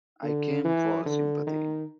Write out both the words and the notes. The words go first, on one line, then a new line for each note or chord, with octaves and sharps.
I came for sympathy.
D3
E3
D3
D#3